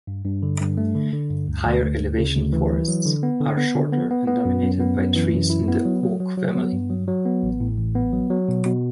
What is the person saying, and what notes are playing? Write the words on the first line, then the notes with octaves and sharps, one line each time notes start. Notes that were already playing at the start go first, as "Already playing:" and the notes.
Higher elevation forests are shorter and dominated by trees in the oak family.
G2
G2
D3
G2
A3
D3
D3
G2
D2
D2
D2
D2
C#3
D2
E3
E3
F#3
D3
B3
D3
B3
D3
B3
B3
B3
F#2
F#2
B3
F#2
E3
F#2
E4
B3
F#3
F#3
F#3
F#3
B3
G2
F#3
F#3
B3
A1
A2
A1
B3
F#3
F#3
B2
B2